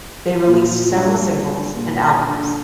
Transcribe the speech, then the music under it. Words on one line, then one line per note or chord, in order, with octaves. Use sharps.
They released several singles and albums.
A#2
G2
A#2
D3